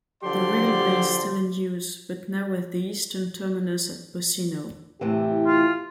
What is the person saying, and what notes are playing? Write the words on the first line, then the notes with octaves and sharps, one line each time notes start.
The railway is still in use, but now with the eastern terminus at Pocinho.
D3 F3 F#3 G4 D5 C6
A2 C3 E3 G4
F4